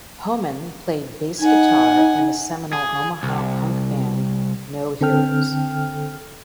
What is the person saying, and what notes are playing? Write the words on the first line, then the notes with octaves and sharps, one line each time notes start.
Homan played bass guitar in the seminal Omaha punk band No Heroes.
D#4 F#5 G#5
G#4
C2
D3 C4 A4 G5 F6